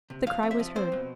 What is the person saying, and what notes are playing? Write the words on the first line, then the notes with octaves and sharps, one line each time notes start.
The cry was heard.
C3
F3 F5
C4
E5
F3
C4 C5
B2